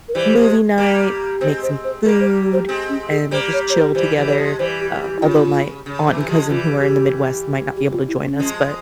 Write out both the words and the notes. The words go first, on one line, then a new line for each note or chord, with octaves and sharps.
movie night, make some food, and just chill together, uh, although my aunt and cousin who are in the Midwest might not be able to join us, but
A#4
E3 G3 C5
F3 G#3
G3 A#3
G#3 C4 C5
C5
C5
G3 A#3 A#4
C5
C5
G#3 C4
C#4
G#4
G3 A#3 C5
C#5
C#5
C5
E3 G3 C5
E3 G3
C#5
F3 G#3
E3 G3 C5
G4
G4
E4
C#3 F4
C#3
C3 E3
F3 G#3
E3 G3 F4
G4
G4
F4
E4
C#4
F3 G#3